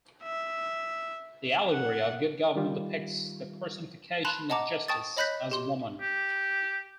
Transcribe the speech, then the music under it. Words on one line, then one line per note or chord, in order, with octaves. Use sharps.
The Allegory of Good Government depicts the personification of Justice as a woman.
E5
F#5
D#3 G3 F4
A5 B5 C6 F#6 F7
D#5 F#5 A5 A#5 D6
G5 A5 C#6 D#6 A6
C#5 D#5 B5 F#6 G6 B6
G4 C6
G4